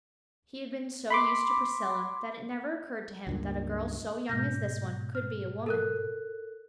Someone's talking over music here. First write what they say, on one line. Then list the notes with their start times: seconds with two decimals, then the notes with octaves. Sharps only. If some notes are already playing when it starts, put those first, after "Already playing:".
He had been so used to Priscilla, that it never occurred to him that a girl so young as this one could be a woman.
1.10 B5 C6 D6
3.27 C#2 G2 A#2
4.29 G#2 B2 G6 A#6
5.15 F6
5.66 A4 A#4 F#6